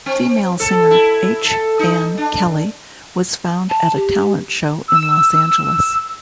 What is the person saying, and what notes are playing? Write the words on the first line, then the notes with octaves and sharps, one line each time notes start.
Female singer H. Ann Kelly was found at a talent show in Los Angeles.
C4
A4
E4
A4
D#4
D4
A5
G4
E6